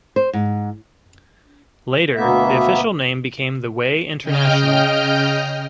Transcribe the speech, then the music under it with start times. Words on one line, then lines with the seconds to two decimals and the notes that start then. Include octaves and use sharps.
Later the official name became The Way International.
0.16 C5
0.33 G#2
2.16 D2 B2 A#3 B3 E5
4.23 C#3 D#5 G5 F6 G6